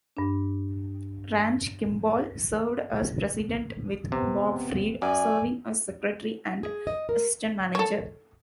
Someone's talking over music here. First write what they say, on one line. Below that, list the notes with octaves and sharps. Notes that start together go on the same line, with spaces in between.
Ranch Kimball served as President with Bob Freed serving as Secretary and Assistant Manager.
G2 D4
C3 B3 C4
F#2 D5 G#5
G#4
D#5
A#4
A4 C#5